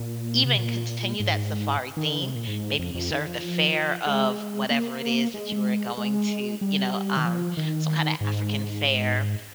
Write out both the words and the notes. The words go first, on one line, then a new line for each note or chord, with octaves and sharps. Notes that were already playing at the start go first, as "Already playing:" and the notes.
even continue that safari theme. Maybe you serve the fare of whatever it is that you were going to, you know, um, some kind of African fare,
Already playing: A#2
C3
A#2
G#2
D#3
D3
C3
A#2
G#2
F2
F2
D#3
F3
G#3
A#3
G#3
G#3
G3
D#3
F3
D#3
G#2